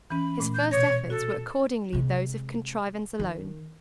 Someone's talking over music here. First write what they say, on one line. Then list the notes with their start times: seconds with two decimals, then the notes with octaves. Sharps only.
His first efforts were accordingly those of contrivance alone.
0.10 E3 C#4 B5
0.40 A#2 A3
0.54 G6
0.71 B2 C#5 A#6
1.10 F#4 A4
1.93 C3 G#3
3.19 D#3